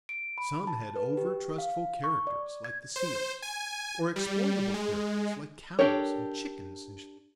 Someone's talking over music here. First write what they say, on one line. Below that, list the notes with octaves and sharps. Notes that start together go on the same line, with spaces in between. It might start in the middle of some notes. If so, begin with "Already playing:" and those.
Some had over-trustful characters, like the seals; or exploitable characters, like cows, and chickens, and sheep.
D7
B5
A5
B4
G4
F5
C#6
D5
G#6
C5
G#5
G3
G#3
D4 G4 A4 A#4 C#5